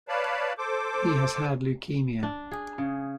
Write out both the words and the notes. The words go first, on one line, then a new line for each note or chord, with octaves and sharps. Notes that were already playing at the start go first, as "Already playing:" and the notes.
He has had leukaemia.
B4 C#5 D5 F5 A5 B5
A4 C5 D6
D4
G#4
C#3